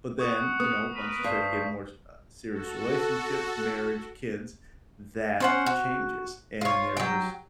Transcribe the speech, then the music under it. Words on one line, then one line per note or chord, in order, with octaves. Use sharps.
But then, you know, once you start getting more s uh, serious relationships, marriage, kids, that changes. And there was
F#5 C#6 D#6
B3 D#6
A#4 B4
G2 C5 B6
F#4 A4
C#4 C5 F#5
F#4
F4 C#5
F#3 G5